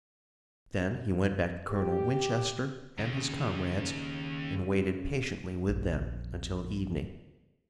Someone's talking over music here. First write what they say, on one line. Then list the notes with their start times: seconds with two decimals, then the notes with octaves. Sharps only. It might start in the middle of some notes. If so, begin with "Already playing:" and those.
Then he went back to Colonel Winchester and his comrades, and waited patiently with them until evening.
1.70 G4
2.98 D#2 C#3
5.68 A#1 F2